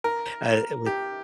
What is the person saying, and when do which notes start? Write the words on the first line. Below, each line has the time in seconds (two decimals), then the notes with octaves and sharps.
uh, with
0.04 A#4
0.86 G4